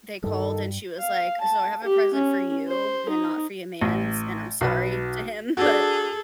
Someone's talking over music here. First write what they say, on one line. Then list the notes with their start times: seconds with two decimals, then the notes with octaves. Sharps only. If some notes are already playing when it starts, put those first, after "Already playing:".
they called, and she was like, "So I have a present for you and not for your mans, and I'm sorry to him." But,
0.24 G2 D#3 G3 D#4 A4
0.98 F5
1.41 A5
1.84 G4
2.14 C#4
2.68 C5
3.09 D#4
3.82 A1
4.61 B1 B4
5.57 D4 F#4 G#4 A4